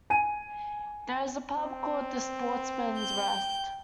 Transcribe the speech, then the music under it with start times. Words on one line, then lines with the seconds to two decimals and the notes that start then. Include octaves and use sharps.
There is a pub called "The Sportsman's Rest".
0.10 G#5 D#7
1.56 C4
2.98 G5 G6